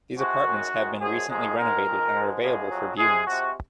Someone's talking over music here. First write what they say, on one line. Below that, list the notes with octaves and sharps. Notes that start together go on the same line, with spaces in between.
These apartments have been recently renovated and are available for viewings.
C3 F3 G#3 F#4
F#2 D#3 G#3
F#2 D#3 G#3
F#2 F3 G#3 G#4
F2 C3 D#3 G#3 G#4
G#2 D#3 G#3 A#4
F2 D#3 G#3
G#2 F3 G#3
F#2 C#3 F3 G#3 G#4
F2 C3 F#3
C3 F3 G#3 G#4
C3 F3 G#3 F#4